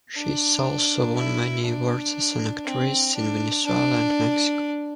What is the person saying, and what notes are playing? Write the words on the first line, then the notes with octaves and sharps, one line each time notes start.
She's also won many awards as an actress in Venezuela and Mexico.
D4
E4
D4
C4
D4
D4